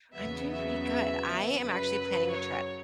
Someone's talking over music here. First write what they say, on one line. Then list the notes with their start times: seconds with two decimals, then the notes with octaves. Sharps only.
I'm doing pretty good. I am actually planning a trip,
0.14 E2 C#3 F#3 B3 E5
0.51 E5
1.59 F#2 C#3 F#3 B4
2.32 C#5